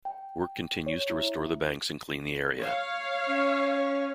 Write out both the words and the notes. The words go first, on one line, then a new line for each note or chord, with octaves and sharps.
Work continues to restore the banks and clean the area.
G5
C#5
E4
C#5 F5
C#4